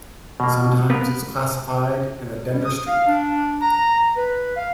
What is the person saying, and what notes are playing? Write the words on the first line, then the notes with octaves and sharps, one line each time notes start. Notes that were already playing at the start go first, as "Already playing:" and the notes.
Sometimes it's classified in the Denderstreek.
B2 A#3
A#3 B3 A#4 B4
G3
D#6
F5
D4
A#5
B4
F5